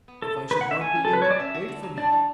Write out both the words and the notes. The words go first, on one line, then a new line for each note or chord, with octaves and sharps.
"If I should not be in, wait for me."
B3
E4 A4
G#4
G#3 B4
F#5
C#4 E5
A3 G#5
C#4
A4
C#3 B4
F#3 C#5
D5
C#4 E5
F#4
D3
F#3
D4 D5
E3